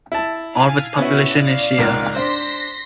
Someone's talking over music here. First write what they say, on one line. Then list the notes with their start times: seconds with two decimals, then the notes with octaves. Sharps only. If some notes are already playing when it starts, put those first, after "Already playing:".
All of the its population is Shia.
0.12 E4 A5
0.55 F5 G#5
0.98 B3 C#4 E4 F#4
1.33 D5 F5
1.78 C#2 G#2 A#4
2.15 D4 C5 C6 A#6 B6